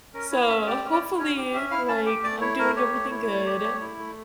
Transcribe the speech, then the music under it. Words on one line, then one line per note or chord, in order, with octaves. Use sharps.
so, hopefully, like, I'm doing everything good.
C#4 A#4
E4 C#5
C#4 E5
G4 D5
C#4
D5
E4
C#4 C#5
G4
C#4 E5
E4 F5
C#4 A5
G4 G5
A3 D5
E4 C#5
A3 A#4
G4 C#5
A3
E4
A3
G4
A3
E4
A3